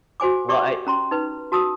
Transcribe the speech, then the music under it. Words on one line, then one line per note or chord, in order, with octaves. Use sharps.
well, I
F#4 C5 G#5 D6
G4 D5 C#6 D6
C#4 A#5 C6
D#4 B4
F#4 A5 D#6 E6